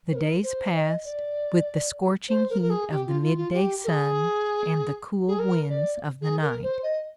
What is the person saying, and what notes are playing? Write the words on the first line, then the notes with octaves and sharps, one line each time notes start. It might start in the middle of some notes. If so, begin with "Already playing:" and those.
The days passed, with the scorching heat of the midday sun, and the cool winds of the night.
C5
A#4
C5
D#5
D5
C5
A#4
A#4
G#4
G4
F4
F4
F4
G4
A#4
G#4
G#4
A#4
D5
G#4
A#4
C5
D#5